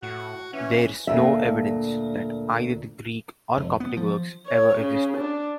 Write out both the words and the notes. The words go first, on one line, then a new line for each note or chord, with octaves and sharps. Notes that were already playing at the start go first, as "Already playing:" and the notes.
There is no evidence that either the Greek or Coptic works ever existed.
A2 F#4
E3 C#4
D2 A#2 F4 E5
F1
B3
F3
C#5
C#3
D4